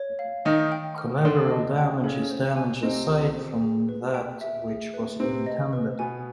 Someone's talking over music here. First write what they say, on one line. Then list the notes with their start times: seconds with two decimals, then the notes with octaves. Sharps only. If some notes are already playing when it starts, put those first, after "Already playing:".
Collateral damage is damage aside from that which was intended.
Already playing: C#5
0.19 F5
0.45 D#3 D#4 D#5
0.72 G5
0.98 F6
1.25 D3 D4 C6
1.51 D#5
1.78 G5
2.04 C#3 C#4 A4
2.30 C5
2.56 G#5
2.83 C3 C4 D#5
3.10 A4
3.36 C5
3.62 G#4
3.89 B4
4.14 G5
4.41 E5
4.68 G#4
4.94 B4
5.20 C3 C4 B4
5.46 D#5
5.73 B4
5.99 B2 B3 G#5